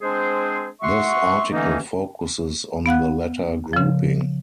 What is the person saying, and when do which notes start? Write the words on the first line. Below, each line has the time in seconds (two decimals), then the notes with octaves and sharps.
This article focuses on the latter grouping.
0.01 G#3 C4 D4 G#4 C5
0.82 F#4 E5 F#5 C6 C#6
1.51 D3 E3 A3 A#3 C#4 D#4
2.86 B3 F5 F#5 F#6
3.73 C#3 F3